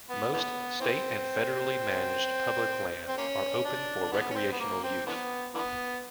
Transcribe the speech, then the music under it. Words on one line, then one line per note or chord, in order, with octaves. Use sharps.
Most state- and federally managed public lands are open for recreational use.
B3
D3 E3 B3
E3 C4
C4
A#3 C#4
D4
D3 E3 B3
C#4
C4
B3
A#3
C4
D3 E3 B3
D3 E3 B3